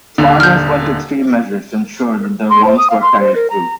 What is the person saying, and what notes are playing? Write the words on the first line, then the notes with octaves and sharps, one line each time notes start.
Farmers went to extreme measures to ensure that their wants were carried through.
D#1 D3
F6 G6
C6
C5
D#6
F5
C6
C5
A#4
A#5